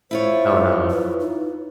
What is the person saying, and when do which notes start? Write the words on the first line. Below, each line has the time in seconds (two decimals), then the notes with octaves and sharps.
Oh, no.
0.11 E4 F4 C5 C#5
0.91 B4
1.20 D#4